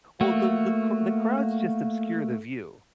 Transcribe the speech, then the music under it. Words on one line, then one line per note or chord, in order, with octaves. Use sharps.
Well, the the the cr the crowds just obscure the view,
A3 A#3 F#4